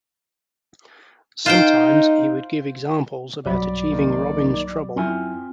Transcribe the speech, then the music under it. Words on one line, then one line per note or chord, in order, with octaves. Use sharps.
Sometimes, he would give examples about achieving Robin's trouble.
D#4 F4 C5 G5
B1 G2 F#3 D5 B5
D#3 A#3 D#4
F#2 C4 E4 F4 G#5